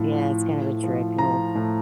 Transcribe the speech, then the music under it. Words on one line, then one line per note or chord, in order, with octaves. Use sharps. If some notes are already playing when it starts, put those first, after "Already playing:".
Yeah, it's kind of a trick, an old
Already playing: A2 F3
F3
A2
F3
F3 A#5
A2